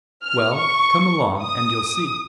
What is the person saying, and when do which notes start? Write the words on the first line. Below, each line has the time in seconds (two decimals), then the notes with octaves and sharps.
"Well, come along and you'll see!"
0.24 F6
0.56 C#6
1.40 D#6